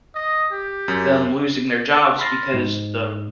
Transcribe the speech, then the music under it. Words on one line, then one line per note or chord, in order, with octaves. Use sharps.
them losing their jobs because the
D#5
G4
F#2
B5 C6 F6 A6 A#6 C7
G#2